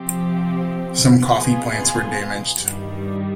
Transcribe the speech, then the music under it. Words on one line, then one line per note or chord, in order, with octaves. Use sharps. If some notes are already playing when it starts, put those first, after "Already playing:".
Some coffee plants were damaged.
Already playing: C3 F3 C4 G4
B2 B3 F4 G#4
G2 D#3 G3